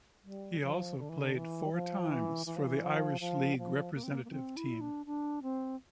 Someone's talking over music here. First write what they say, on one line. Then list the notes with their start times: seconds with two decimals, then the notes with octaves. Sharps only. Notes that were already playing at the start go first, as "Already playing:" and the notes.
He also played four times for the Irish League representative team.
0.24 G3
0.62 F3
0.98 D3
1.09 E3
1.19 D3
1.36 E3
1.66 G3
1.73 F3
2.09 E3
2.46 E3
2.56 F3
2.67 E3
2.83 F3
3.20 F3
3.54 G3
3.57 F3
3.94 A#3
4.04 C4
4.13 A#3
4.25 A#3
4.31 C4
4.57 E4
4.81 D4
5.06 D4
5.43 C4